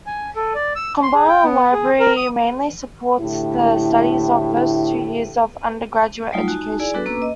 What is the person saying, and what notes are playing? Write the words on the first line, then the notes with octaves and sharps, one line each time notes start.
Komaba Library mainly supports the studies of the first two years of undergraduate education.
G#5
A4
D5
E6
C6
G#4
G5
B3
G#4
A#4
D#6
D2 A2 D3 E4 G4
F#3 G3 A3 D#4 F4
D#4 F#4 G#5 A5
E4 G#4 D5 G#5
B3 D4 F#4 A4 B4
A#3 C#4 B4 A#5 D6 E6
D#5